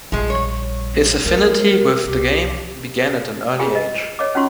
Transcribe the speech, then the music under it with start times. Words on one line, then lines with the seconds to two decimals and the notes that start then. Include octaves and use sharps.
His affinity with the game began at an early age.
0.12 A#1 F3 G3 G#3
0.30 C#5
1.25 A3 A#3 A#4
2.05 C2 G4
3.59 F4 G4 G#4 G#5
3.75 D#5
4.19 C#5 D#5 D6
4.35 C#4 D#4 F4 F#4 C6 C#6